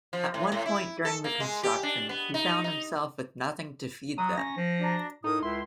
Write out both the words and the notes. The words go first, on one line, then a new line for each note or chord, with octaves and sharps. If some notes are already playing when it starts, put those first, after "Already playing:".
At one point during the construction, he found himself with nothing to feed them.
F3
A2
A2
E4
A4
A#3
G#3
G4
D4
B3
D#4
D#4
F#3 E5 A#5 D#6
C#4 A#6
F3 C5
D4 F#4 A#5
A2 D#4 A4 A#4 D#6
C#2 E4 C6